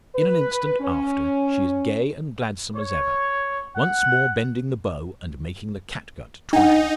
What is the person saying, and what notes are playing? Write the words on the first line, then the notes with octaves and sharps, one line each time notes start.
In an instant after, she is gay and gladsome as ever; once more bending the bow, and making the catgut twang.
B4
C#4
C#5
F#5
D4 D#4 F#5